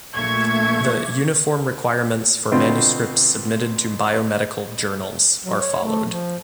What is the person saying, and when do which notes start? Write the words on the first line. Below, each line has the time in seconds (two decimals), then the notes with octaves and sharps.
The "Uniform Requirements for Manuscripts Submitted to Biomedical Journals" are followed.
0.14 A#1 A#2 A3 E5 C#6 G#6
2.52 B2 D3 C4 F4
5.45 F#3
5.60 C#5
5.84 A3
6.08 F3